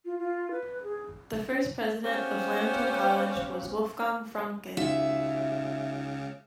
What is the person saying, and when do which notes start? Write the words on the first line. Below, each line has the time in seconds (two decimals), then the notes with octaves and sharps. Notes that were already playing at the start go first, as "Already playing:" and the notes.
The first president of Lambton College was Wolfgang Franke.
0.05 F4
0.19 F4
0.51 B4
0.83 G#4
2.04 B3 C#4 G4 C5 F5
4.77 C#2 C#3 D#4 F4 F#4 E5